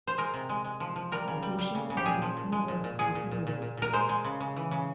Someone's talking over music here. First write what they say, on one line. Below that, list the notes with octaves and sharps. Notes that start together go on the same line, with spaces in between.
A bushing can be seen as "consumable".
C5
G#3 A#4
C3
G#3
G#3
F3
F3
G3 A#4
C#3
G3
G3
C#3
C#3
G4
A#2 G#4
F3
A#2
G#3
A#2
A#2
A#2 G#4
A#2
A#2
A#2
A#2
A#2 A#4
G#3 C5
G#3
C#3
C#3
E3
C#3